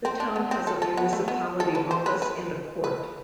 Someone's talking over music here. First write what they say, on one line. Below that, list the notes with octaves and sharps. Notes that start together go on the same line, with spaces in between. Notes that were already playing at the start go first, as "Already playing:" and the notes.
The town has a municipality office and a court.
C4
D4
B3
C4
A4
A4
B3
A3
B3
A4
B4
C5
B4
B4
B4